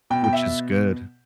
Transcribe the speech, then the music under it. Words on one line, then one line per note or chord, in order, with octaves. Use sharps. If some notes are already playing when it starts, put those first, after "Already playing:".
Which is good.
B2 G5
G5
E5